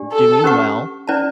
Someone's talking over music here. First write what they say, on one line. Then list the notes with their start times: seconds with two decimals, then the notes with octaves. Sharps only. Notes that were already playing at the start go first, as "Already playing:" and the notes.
doing well,
Already playing: D4 G4 D5
0.12 A4
0.44 C#4 G4 B4 F#5 C#6
1.07 C#4 E4 B4 D5 A5